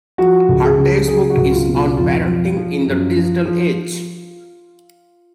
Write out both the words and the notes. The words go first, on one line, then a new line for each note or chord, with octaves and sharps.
Her next book is on parenting in the digital age.
F3 F#4
C#2
G#4
C#3
F#3 G#4
F#4
C#2
F4
B2
F4
F2 F4
F3
F3
F#2
F3
F3